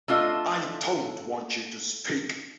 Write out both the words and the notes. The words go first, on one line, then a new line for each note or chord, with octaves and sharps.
I don’t want you to speak.
A3 D4 F4 A4 D#5